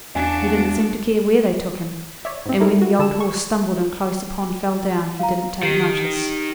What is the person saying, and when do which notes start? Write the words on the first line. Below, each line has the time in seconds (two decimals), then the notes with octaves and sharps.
He didn't seem to care where they took him; and when the old horse stumbled and close upon fell down he didn't take notice.
0.15 E2 D4 F#4 F5 G#5 A5
2.25 C#5 D5 E5
2.46 G#2 C4
2.60 A3 D#4 E4 A4 A#4
2.82 F#4
2.99 D3 A5 E6 E7
3.20 C#6
5.19 F5 A#5
5.63 D#3 G4 C7